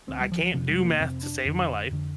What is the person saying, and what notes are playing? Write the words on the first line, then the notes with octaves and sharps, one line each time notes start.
I can't do math to save my life,
D2 D3 C4
G3
F3
F3
F2 C3 F3
G3
A#3
F2 C3 C4
D4
F2 D3
F2 D3